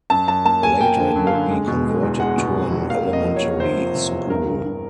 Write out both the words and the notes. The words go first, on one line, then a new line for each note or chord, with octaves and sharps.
Later it would be converted to an elementary school.
F#2 A5
F#2 A5
A#3 A5
A#3 G#5
A#3 G5
D3
F#2
F5
D3
G#3
B2
G#3
E2
G#3 F#5
B2
F1
F1
A#3 F5
A#3
D#5
F3
C#5
A#3
C3 C5
F3
C3
E2
G2 A#4
G2
G2